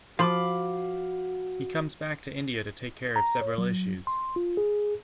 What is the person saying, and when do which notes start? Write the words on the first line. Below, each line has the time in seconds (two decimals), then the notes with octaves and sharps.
He comes back to India to take care of several issues.
0.19 F3 F#4 F5 B5 D6
3.16 A#5
3.41 C#5
3.58 F#3
4.07 C6
4.36 F4
4.57 G#4